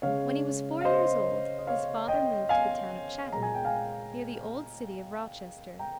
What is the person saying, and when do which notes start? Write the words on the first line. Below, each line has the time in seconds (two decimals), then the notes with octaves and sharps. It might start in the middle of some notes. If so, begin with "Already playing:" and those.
When he was four years old, his father moved to the town of Chatham, near the old city of Rochester.
0.02 C#3 G#3 C#5 F5
0.81 F5
0.84 C5 D#5
1.58 D#5
1.67 C#5 F5
2.08 D#5 G5
2.49 F5 G#5
3.32 A#2 G#3 A#5
3.43 G#5
3.55 G5
3.65 F5 G#5
5.79 G5 A#5